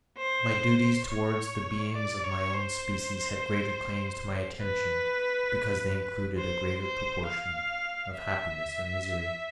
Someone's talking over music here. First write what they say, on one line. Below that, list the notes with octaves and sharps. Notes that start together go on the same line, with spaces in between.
My duties towards the beings of my own species had greater claims to my attention because they included a greater proportion of happiness or misery.
C5
C#5
D5
C#5
C5
B4
C5
C5
F5
E5